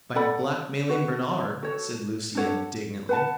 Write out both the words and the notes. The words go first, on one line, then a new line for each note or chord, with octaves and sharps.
"By blackmailing Bernard," said Lucy, indignantly.
A4 D5 F#5 B5
F#4 B4 F#5
F#4 A4 C#5
D4 A4 C#5 F#5
B4 F#5 A5